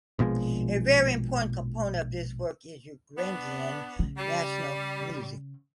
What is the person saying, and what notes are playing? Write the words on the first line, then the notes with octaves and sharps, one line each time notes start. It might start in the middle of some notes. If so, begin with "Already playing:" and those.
A very important component of this work is Ukrainian national music.
A#1 B2 F3 G#3
B3 D4
C#3
G3